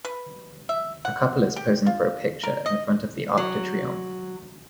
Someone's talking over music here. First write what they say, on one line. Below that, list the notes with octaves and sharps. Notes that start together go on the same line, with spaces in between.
A couple is posing for a picture in front of the Arc de Triomphe.
B4
E5
F#5
G4
F4
A#4
D#5
F#3